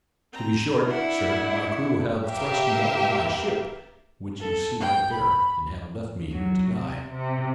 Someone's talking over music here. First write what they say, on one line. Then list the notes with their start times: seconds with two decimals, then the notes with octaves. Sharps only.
To be short, Sir, my crew have thrust me out of my ship, which you see out there, and have left me here to die.
0.32 C4 A#5
0.87 D4 E4 F#5
2.27 G4 A#4 B4 E5 F5 G5
4.41 A4
4.80 G5
5.12 B5
6.32 F#3
6.72 C3
7.12 C3